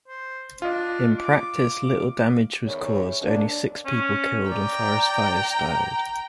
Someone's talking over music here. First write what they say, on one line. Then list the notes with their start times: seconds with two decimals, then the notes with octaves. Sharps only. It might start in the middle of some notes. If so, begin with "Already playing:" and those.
In practice little damage was caused, only six people killed and forest fires started.
0.08 C5
0.62 D4 F4 D#5
1.18 D6
2.66 E2 D#3 C#5
3.21 D#2 D4
3.85 C#4
4.51 D5 G5 A#5